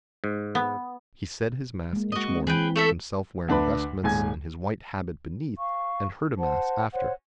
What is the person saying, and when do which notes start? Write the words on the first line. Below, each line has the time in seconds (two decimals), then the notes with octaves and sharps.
He said His mass each morning, Himself wearing vestments and His white habit beneath, and heard a mass after.
0.24 G#2
0.55 B3
1.93 G#3 A#3
2.12 F#4 D#5
2.28 C4
2.47 E3 G#4 B4 G5
2.76 A3 A4 E5
3.48 D2 D4 B4 B5
4.03 D#1 G#2 G#5 G#6
5.57 F5 C#6
6.38 C5 F#5 A5
6.93 C5 C#5 F#5